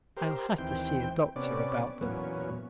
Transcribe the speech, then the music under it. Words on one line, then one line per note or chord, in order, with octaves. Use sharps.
I'll have to see a doctor about them.
G4 A#4 C5
D#2 E3 C4 G5
C3 B3 C#4 D5
E2 A#2 F#3 B3 C#4